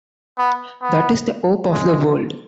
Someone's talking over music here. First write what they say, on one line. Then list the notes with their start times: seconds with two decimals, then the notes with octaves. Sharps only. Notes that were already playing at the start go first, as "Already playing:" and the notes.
That is the hope of the world.
0.38 B3
0.83 B3
1.72 G#3